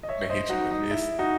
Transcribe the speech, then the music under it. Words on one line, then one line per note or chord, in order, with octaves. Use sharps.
They hit you and miss.
D#5
C#5 E5
C5 D#5
D#4 F#4
D#4
E4
D#4 F#4